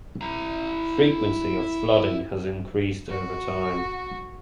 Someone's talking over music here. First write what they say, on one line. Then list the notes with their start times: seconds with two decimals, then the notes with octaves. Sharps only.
Frequency of flooding has increased over time.
0.21 E4 A#5
3.09 F#4